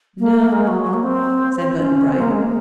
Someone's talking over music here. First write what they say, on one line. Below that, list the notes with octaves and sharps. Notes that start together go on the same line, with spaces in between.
"No," said Button-Bright.
A#3
G#3
F#3
F#3
A#3
C4
C#4
C4
A#3
G#3
A#3